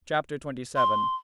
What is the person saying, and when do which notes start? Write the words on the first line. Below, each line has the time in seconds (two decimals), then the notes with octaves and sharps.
Chap. XXVII.
0.76 C6